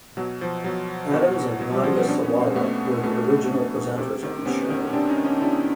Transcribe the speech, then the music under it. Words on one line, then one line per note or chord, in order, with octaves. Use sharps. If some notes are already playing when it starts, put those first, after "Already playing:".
Adams and Nadia Sawalha were the original presenters on the show.
B2 F#3
F3
B2 F#3
B2
B2 F#3
F3 G3
F3 G3
B3 C#4
B2 C4 D4
B3 C#4
A#3 C4
B2 A3 B3
B2 A3 B3
B2
C3
D#3
C3 B3 C#4
D#3
C#4
C3 C4 D4
C#4 D#4
D#3
C#4 D#4
C3 D4 E4